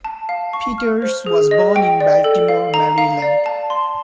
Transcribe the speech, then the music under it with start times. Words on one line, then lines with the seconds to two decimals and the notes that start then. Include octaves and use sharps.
Peters was born in Baltimore, Maryland.
0.05 A5
0.29 F5
0.53 C#6
0.78 F6
1.02 C5
1.26 G#4
1.51 D#5
1.76 G5
2.01 D5
2.24 A4
2.48 F5
2.74 A#5
2.98 F5
3.22 D5
3.46 A5
3.70 C6